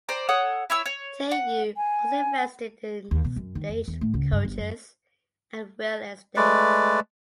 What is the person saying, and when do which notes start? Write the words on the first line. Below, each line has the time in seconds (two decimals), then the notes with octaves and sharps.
Tilyou also invested in stagecoaches and real estate.
0.08 C5 D5 A#5
0.29 A4 C#5 F#5 D#6
0.70 E4 C#5 E6
0.86 C#5
1.31 F#5
1.77 G#5
3.11 D#2
3.25 B2
3.36 F#2
3.55 D#3
3.69 F2
3.88 E2
4.01 A2
4.14 C#2
4.32 G2
4.45 G1
4.58 F#2
6.36 G#3 A3 B4 D5